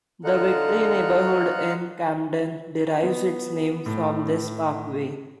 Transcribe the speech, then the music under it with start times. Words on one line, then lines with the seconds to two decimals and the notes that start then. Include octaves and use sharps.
The Victory neighborhood in Camden derives its name from this parkway.
0.24 D3 D#4 F4 F#5
3.02 B3
3.86 A2